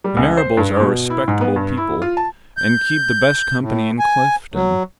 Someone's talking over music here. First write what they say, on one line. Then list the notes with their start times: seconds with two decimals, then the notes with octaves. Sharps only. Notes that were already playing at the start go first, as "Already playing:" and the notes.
The Marrables are respectable people, and keep the best company in Clifton.
0.04 G3
0.17 C#2
0.37 C5
0.57 G2
0.81 B2
1.10 E4
1.28 G#2
1.41 B3
1.56 G2
1.77 E4
2.02 F4
2.17 A5
2.57 G6
3.61 A2
3.99 G#5
4.54 F#3